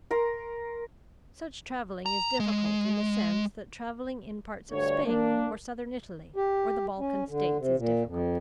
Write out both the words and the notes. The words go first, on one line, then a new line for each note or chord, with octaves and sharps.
Such travelling is difficult in the sense that travelling in parts of Spain or southern Italy or the Balkan states is difficult.
A#4 A#5 C6
A#5
G#3
D2 G2 D3 C#5
A#3 D4
G4
C#4
D3
C3
A#2
F2